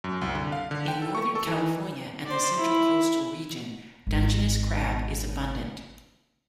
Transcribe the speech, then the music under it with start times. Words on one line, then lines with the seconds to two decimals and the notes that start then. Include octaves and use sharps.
In Northern California and the Central Coastal region, Dungeness crab is abundant.
0.04 F#2
0.21 C2
0.35 D3
0.52 F5
0.71 D3
0.88 G5
1.02 A4
1.15 C#6
1.35 A4
1.47 E3
2.25 C5 D5
2.57 E4
4.07 G#1 D#3